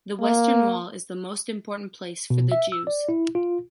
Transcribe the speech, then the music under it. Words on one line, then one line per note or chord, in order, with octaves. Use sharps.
The Western Wall is the most important place for the Jews.
A#3
B2
E5
E6
D5
E4
F4